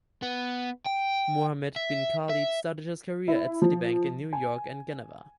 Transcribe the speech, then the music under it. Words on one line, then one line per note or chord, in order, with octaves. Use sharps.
Mohammed bin Khalid started his career at Citibank in New York and Geneva.
B3
G5
E5
E5
E4
F3
G#5